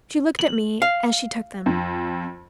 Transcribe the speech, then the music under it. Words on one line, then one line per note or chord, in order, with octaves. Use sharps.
She looked at me as she took them.
F#7
F5
F2